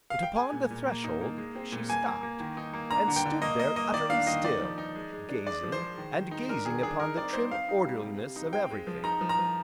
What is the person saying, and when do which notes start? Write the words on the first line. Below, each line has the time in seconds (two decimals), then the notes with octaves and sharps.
But, upon the threshold, she stopped, and stood there utterly still, gazing, and gazing upon the trim orderliness of everything.
0.10 F5
0.23 G5
0.36 G#3 G#5
0.52 A#2
0.70 A#2
0.87 A#3
1.04 D#4
1.21 A#3
1.38 G#3
1.55 C4
1.72 A#2
1.89 A#3 G#5
2.06 A#3
2.23 A#3
2.40 D#3
2.57 D#4
2.74 A#3
2.91 D4 A#5
3.08 D3
3.16 G5
3.26 D3
3.42 A#3 D#5
3.59 A#3 D#5
3.76 A#3 D#5
3.93 D#3 D5
4.10 D4 F5
4.27 D#3 D#5
4.44 D#4 D5
4.62 F3
4.78 D#4
4.95 G#3
5.12 G#3
5.29 D4
5.46 G#3 D5
5.63 F3
5.72 C5
5.81 G#3
5.98 D#3
6.15 D#3
6.31 D#4
6.48 D4 A#4
6.65 D#3 G#4
6.82 D4 G#4
7.00 D#4 A#4
7.17 C4 D5
7.33 D#4 C5
7.51 C4 F5
7.68 D#4
7.85 G3
8.02 C3
8.19 C3
8.36 D#4
8.53 C4 G5
8.71 G#3
8.87 F3
9.04 D#4 A#5
9.21 F3
9.29 A#5
9.39 F3